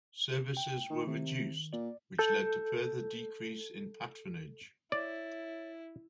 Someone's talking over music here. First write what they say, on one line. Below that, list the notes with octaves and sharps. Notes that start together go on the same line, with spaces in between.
Services were reduced, which led to further decrease in patronage.
G5
D#3
C3 D#3
A#2 D5
A4 G6
E4 C#5 D5 A6